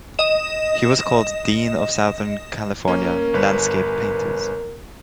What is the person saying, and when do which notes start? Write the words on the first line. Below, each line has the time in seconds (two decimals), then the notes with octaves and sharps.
He was called the Dean of Southern California landscape painters.
0.19 D#5 E7
2.87 A#3 C#4 A#4
3.34 G1 B4 C#5